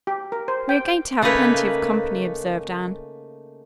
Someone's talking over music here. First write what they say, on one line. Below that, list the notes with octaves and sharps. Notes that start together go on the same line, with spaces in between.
"We are going to have plenty of company," observed Anne.
G4
A#4
C5
G5
C#3 A3 A#3 D#4 B4 C#5